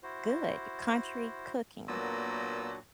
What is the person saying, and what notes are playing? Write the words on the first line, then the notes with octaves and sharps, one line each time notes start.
good country cooking
E4 F#4 C5
A#2 F#3 A#3 B3 D4 F#4 E6